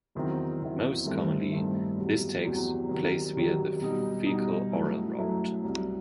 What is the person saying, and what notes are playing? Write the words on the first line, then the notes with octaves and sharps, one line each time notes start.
Most commonly, this takes place via the faecal-oral route.
E2 D#3 F#3 C4 E4
E2 D#3 F#3 C4 E4
G2 D#3 A3 C4 E4
G2 D#3 A3 C4 E4
E2 C3 F#3
E2 C3 F#3
C3 D#3 F#3
C3 D#3 F#3
B2 G3 D#4
B2 G3 D#4
F#2 F#3 A3 E4
F#2 F#3 A3 E4
C2 C3 F#3